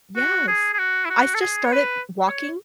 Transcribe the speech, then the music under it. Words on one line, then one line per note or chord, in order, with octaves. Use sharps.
Yes. I just started walking
F#4
G#4
G#4
F#4
E4
F#4
A4
G#4
C#5
B4
C#5